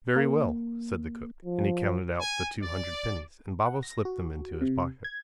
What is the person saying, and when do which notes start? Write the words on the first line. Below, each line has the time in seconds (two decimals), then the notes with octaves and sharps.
"Very well," said the cook, and he counted out the two hundred pennies, and Babo slipped them into his pocket.
0.16 A#3
1.45 F3
2.20 G#5
2.63 D5
3.66 F#5
3.83 A#6
4.05 F#4
4.61 C3
5.04 G#6